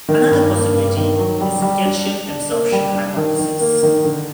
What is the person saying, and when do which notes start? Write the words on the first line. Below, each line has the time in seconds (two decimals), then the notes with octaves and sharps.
Another possibility is the calcium absorption hypothesis.
0.09 D#3
0.31 G2
0.53 A#3
0.74 G2
0.97 D#3
1.19 F#3
1.41 G3
1.62 G3
1.85 D4
2.06 D4
2.29 D4
2.50 A#3
2.72 G3
2.95 D4
3.16 D#3
3.39 D#3
3.61 A#3
3.83 D#3
4.05 D3